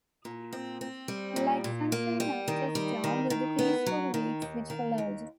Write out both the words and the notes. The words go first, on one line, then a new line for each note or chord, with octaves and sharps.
Like sunshine after storm were the peaceful weeks which followed.
A#2
C4
C4
G3
A#2
A#2
A#3
G3
D#3
G3
D#3
D#3
B3
F#3
D#3
D#2
D#3
D#2